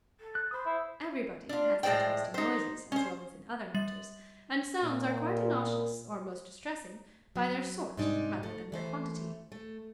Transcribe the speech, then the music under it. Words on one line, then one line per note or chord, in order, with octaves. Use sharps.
Everybody has their taste in noises as well as in other matters; and sounds are quite innoxious, or most distressing, by their sort rather than their quantity.
A4
F#6
C5 B5 D#6
E4
D4 F4
A2 G#3 C5 D5 G5
D#4 C5
C#4 C5
G3 A6 F#7
A#2
F#3
G#2 C3 G3 D4 D#4
A3
E3 A3 C5
A3